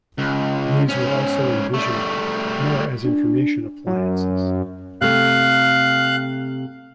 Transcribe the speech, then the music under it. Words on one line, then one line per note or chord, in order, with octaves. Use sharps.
These were also envisioned more as information appliances.
C#2
G#2 C#4
G3 A3
D4
F#2
C3 A3 F5 F#6